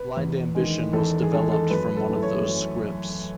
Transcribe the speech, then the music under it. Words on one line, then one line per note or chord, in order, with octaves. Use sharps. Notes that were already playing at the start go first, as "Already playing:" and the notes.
"Blind Ambition" was developed from one of those scripts.
Already playing: B4
E2
D#3 G#3
E2 A4
G#4
D#3 G#3 A4
A4
F#2 B4
A4
E3 A3
C#5
F#2